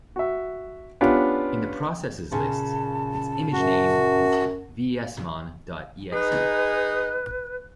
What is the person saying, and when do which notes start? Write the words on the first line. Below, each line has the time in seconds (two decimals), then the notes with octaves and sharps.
In the processes list its Image Name is "vsmon dot exe".
0.16 F#4 E5
1.01 B3 C#4 D4 F4 G4
2.32 A#2 C#3 A5
3.53 F#2 F#4
6.13 D#4 G#4 B4